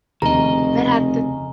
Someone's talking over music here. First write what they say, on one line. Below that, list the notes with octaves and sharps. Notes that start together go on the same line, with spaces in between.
but at the
F1 D#2 C#3 D#5 A#5